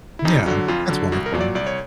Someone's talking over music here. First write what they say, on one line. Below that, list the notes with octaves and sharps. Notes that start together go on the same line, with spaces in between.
Yeah. That's wonderful.
E4
F2 D#4
D3 F#3
F2 F4
D3 F#3
C2 F#4
A#4
A#2 F#3
D5
C2 D5
C#5